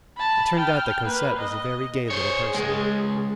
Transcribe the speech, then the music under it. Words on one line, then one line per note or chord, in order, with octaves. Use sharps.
It turned out that Cosette was a very gay little person.
A5 B5
G5 F6
A#3 B4
D#5
G#4 C5 C#5
C#2 G#3